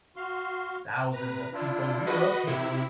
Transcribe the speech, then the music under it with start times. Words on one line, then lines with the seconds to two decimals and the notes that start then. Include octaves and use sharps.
Thousands of people relocated.
0.16 F#4 F5 C6
1.13 C3 B4 A#5
1.53 D4 E4 F4
2.06 F#4 B4 D#5
2.47 C3 D#3 E4 G4